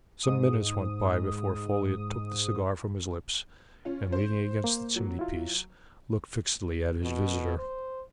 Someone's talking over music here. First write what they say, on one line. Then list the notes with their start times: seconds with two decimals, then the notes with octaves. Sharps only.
Some minutes went by before Folliot took the cigar from his lips and leaning against the chimneypiece looked fixedly at his visitor.
0.23 G#2 D#6
3.85 C#4 F4
4.12 C5
4.64 A#3
4.96 F#3
5.19 E4 F4
7.02 B2
7.58 C5